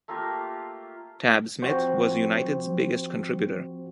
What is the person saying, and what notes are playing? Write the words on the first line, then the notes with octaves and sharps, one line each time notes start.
Tab Smith was United's biggest contributor.
A3 A#3 F4 G4
F3 C4 F#4 C5